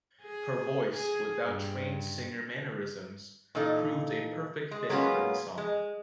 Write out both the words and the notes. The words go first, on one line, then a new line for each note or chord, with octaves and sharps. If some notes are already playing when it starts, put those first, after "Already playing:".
Her voice, without trained singer mannerisms, proved a perfect fit for the song.
G#4
G#4
G2
A#2 E3 D#4 A4
G#3
F#3 G#3 A#3 B3 C#4 F4
G#3